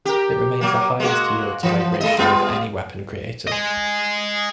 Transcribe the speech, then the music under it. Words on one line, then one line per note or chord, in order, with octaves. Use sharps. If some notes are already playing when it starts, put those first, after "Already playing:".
It remains the highest yield-to-weight ratio of any weapon created.
G4 A#4
F#3 A#3
G#3 A#3 F#4
E3
G#3 D#5
G3 B3 F4
D#5 G#5